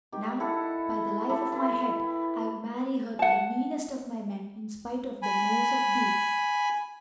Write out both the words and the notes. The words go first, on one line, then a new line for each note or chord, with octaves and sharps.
Now, by the life of my head I will marry her to the meanest of my men in spite of the nose of thee!
D#3 G4
E4 A4 F#5
E4 G4 A4 A#5
E4 B4
F#5 A5
G#5 B5